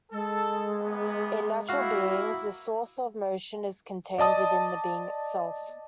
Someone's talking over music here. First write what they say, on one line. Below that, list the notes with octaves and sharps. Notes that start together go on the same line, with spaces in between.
In natural beings, this source of motion is contained within the being itself.
G#3 A4
C3 A#3 B3
A#3 B3 E4 F#4 F5
D5 D#5 A5 D#6